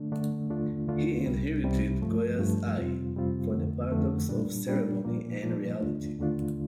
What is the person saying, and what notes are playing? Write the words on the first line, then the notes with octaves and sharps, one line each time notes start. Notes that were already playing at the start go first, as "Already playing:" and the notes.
He inherited Goya's eye for the paradox of ceremony and reality.
Already playing: D3 A3 D4
D3 A3 D4
D#2 D3 A3 D4 F4
D#2 D3 A3 D4 F4
C2 C3 G3
C2 C3 G3
G2 F3 A3
G2 F3 A3
F2 C3 G3 C4 F4
F2 C3 G3 C4 F4
F2 D3 A3
F2 D3 A3
A#2 G3 D4
A#2 G3 D4
A#2 F3 A#3
A#2 F3 A#3
D#2 D3 A3 D4 F4
D#2 D3 A3 D4 F4